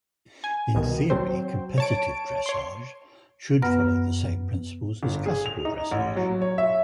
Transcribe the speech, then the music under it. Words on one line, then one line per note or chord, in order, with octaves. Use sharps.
In theory, competitive dressage should follow the same principles as classical dressage.
G#5
C2 B2 D#3
F#3 C4 C5
C#5 A5 D7
C#5 C6
F#2 B3 B4 F#5 F6 A#6
G1
G#4
F7
D#4
A1
F#3
C#5
E5